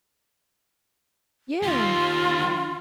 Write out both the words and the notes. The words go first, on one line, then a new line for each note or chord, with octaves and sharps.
yeah, I mean
D#3 F4 G4